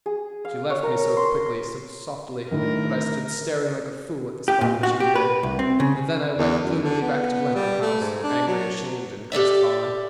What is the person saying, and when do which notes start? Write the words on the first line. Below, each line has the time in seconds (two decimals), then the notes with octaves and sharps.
She left me so quickly, so softly, that I stood staring like a fool at the spot where she had been, and then I went gloomily back to Glenarm House, angry, ashamed and crestfallen.
0.06 G#4
0.45 F5
0.70 C#5
0.83 A#4
1.17 C6
2.51 A2 D3 D#3 A#4
4.48 G4
4.61 A#2
4.83 F#4
5.00 G4
5.15 B4
5.43 C2
5.59 C4
5.80 C#3
6.38 E2
6.64 F#2
6.84 D3
7.01 B3
7.55 G3
7.82 A3
8.00 G#2
8.23 D4
8.47 F#3
9.32 G4 A4 D5 E5